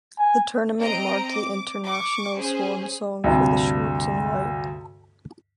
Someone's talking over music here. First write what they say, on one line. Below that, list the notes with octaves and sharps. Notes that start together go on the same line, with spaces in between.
The tournament marked the international swansong for Schwarz and White.
G#5
C4 D#5 A#5 D7
D6
C#6 D6
C#4 G#4 C5
D2 G2 C3